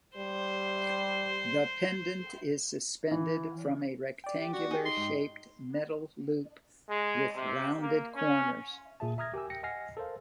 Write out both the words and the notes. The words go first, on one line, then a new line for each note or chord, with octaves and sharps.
The pendant is suspended from a rectangular shaped metal loop with rounded corners.
G3 C5
E3
D5 G5
G4
F#4
D#4 G4 G#4
C6
G#2 G4
G#3
C3
A#3
C#4
A#2 G#4 E5 A5
E5 A#5 D#6 F6 G#6 A#6
G4 A#4 G#5 E6
G5 A#6 C#7
D#5 F#5 G#5 F6 A#6 C7
A4 A#4 C5 F5